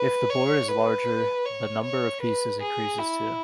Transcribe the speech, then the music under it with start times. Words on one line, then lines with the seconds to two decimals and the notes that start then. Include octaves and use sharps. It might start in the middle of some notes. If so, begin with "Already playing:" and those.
If the board is larger the number of pieces increases too.
Already playing: B4
0.30 C#5
0.69 B4
1.45 C#5
1.84 C#5
2.22 B4
2.61 G#4
2.99 E4